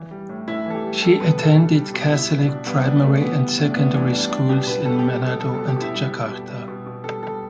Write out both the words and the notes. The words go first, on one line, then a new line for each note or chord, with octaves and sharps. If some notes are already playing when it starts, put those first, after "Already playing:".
She attended catholic primary and secondary schools in Manado and Jakarta.
Already playing: E3
G3
A2
A2 E4
E3 A4
G4
G3
G3 A4
B2 B4
B2 A4
G3
G3
B2
G3 E4
B2
D4
B2
G3 B3
G3 D4
B2 A3
E3 B3
G3
A2
D4
A2 B3
E3 D4
G3 D4
G3 D4
B2 G4
B2 B4
G3 A4
G4
G3
G4
B2 A4
G3 A4
B2 A4
G4
B2
E4
G3
G3
B2
G3
B2
B2
G3 A4
G3 A4